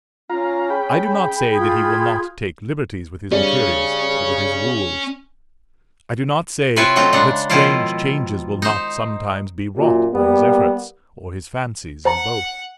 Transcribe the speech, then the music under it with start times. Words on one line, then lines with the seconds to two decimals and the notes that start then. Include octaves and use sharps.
I do not say that he will not take liberties with his materials, or with his rules: I do not say that strange changes will not sometimes be wrought by his efforts, or his fancies, in both.
0.30 C#4 F4 F5 A#5
0.70 G#4 G5 B5
1.56 F4 D#6 G#6
3.32 C#3 G3 C#4 D4
6.76 C3 E4 F4 B4 C#5 G#5
6.96 F#3 A3 C4 D#4 F4
7.13 C#3 G#3 D4 F#5
7.50 B2 D#3 F3 E4 F4 F5
8.62 D#4 C5
9.76 F#2 A#2
10.12 G3 A#3 B3
12.05 C5 F#5 A5 A#5